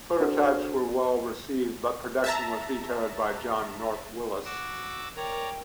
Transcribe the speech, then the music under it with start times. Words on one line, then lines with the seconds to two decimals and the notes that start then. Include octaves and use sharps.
Prototypes were well received, but production was vetoed by John North Willys.
0.20 D4 F#4 A4 C5
2.24 E5 A5 A#5
4.45 F#4 D6 E6
5.16 A#4 C#5 D5 G5 A#5